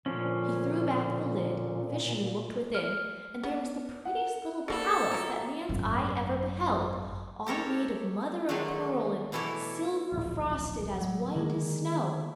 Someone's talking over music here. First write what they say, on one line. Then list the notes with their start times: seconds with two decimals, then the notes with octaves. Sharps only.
He threw back the lid; the fisherman looked within, and there was the prettiest little palace that man's eye ever beheld, all made of mother-of-pearl and silver-frosted as white as snow.
0.06 A#2 D3 F3 C#4
2.75 F6
3.43 B3
4.05 F#5
4.68 D3 A#3 A4 B5
5.11 F#3 F4 A#5
5.69 G#1 F#2
7.46 G4 A4 A#4 C#5
8.49 D3 D#3 F#3 G#3 A3
9.32 B2 E3 E4 A4 C#5 D5
10.12 D1 A#1
11.01 F#3
11.36 D3 D#3 G#3 A#3